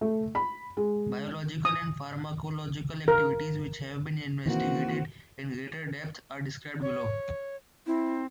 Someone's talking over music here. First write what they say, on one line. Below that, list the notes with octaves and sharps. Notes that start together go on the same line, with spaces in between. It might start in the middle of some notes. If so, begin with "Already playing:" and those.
Biological and pharmacological activities which have been investigated in greater depth are described below.
A3
B5
G#3
D#6
A#4
D#3 E3 A#3 C4 F#4
C#5
C4 E4